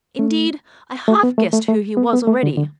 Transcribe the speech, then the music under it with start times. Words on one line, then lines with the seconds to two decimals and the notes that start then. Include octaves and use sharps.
Indeed, I half guessed who he was already.
0.19 A3
1.08 A3
1.23 B3
1.38 A3
1.53 A3
1.68 A3
1.97 B3
2.13 B3
2.27 A3
2.43 D3
2.57 D3